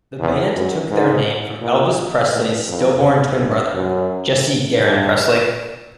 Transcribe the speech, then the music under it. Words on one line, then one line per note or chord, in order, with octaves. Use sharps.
The band took their name from Elvis Presley's stillborn twin brother, Jesse Garon Presley.
E2
F#2
G#2
A#2
A2
F2
G2
F#2
G2